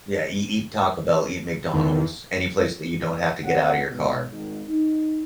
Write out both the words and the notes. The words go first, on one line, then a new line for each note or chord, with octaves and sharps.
Yeah, eat eat Taco Bell, eat McDonald's, any place that you don't have to get outta your car.
E2 D#3
C4 G4 A4 B4 C#5 F#5
G#2 B2
G#1
D#4